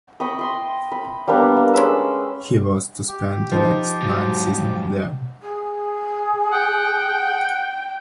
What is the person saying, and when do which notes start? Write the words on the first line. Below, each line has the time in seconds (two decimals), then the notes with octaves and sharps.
He was to spend the next nine seasons there.
0.20 D#5 G5 B5 C#6
0.39 D#5 C6
0.92 B5
1.27 G3 A#3 B3 D4
1.57 A#3
1.74 G#3 C#4 B4 E6
3.08 G4
3.52 F3 D#4
4.02 F2 G#2 F#3
5.42 G#4
6.52 F#5 G5